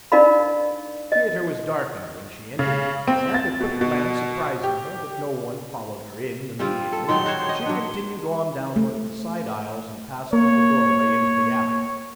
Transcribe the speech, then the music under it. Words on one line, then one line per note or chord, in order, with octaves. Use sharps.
The theater was darkened when she entered and, a quick glance apprizing her that no one followed her in immediately, she continued on down one of the side aisles and passed through the doorway into the alley.
D4 D#4 A#4 D5 F5 B5
D#5
C#3
C4
A6
B2
B2
G4
G3 C4 F4
A4
D#3 F#3 D#4 C6
F#4 C5 C#5
C#5 D#5
F#3 D4
A3
A#3 C#5